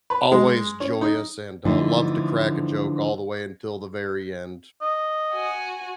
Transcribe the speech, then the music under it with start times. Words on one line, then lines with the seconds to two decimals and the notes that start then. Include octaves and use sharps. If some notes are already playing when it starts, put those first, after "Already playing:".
always, joyous, and, uh, loved to crack a joke all the way until the very end.
0.10 B4
0.32 G#3
0.80 C#4
1.01 D#4
1.65 D3 E3 F3 A3 D#4
4.82 D#5
5.33 F#4 G#5